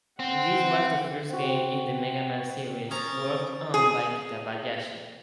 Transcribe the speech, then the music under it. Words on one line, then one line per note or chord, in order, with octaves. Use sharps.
This was the first game in the "Mega Man" series worked on by Kitabayashi.
C4 F#5
C4 F#4
C#4 A#4 C5 A#5 D#6 A6
G#4